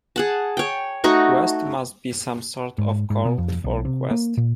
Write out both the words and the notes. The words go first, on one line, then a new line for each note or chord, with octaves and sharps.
West' must be some sort of code for 'quest.
G#4 F#5 A5
C#5 G5
A3 D#4 F#4 C#6
G#2
G#2
B2
F2
B1
C3
A#3
A#2